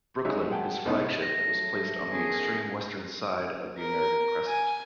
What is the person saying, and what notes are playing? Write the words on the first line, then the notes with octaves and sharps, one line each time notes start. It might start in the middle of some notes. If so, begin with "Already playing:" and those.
"Brooklyn", his flagship, was placed on the extreme western side of the American crescent.
F#3 G#3 D#4 E5
G#4 F#5 G5 A5
C2 B3 D#4 C5
F#3 A3 A#6
D#3 B3 C#4 G#4
A#4
G#5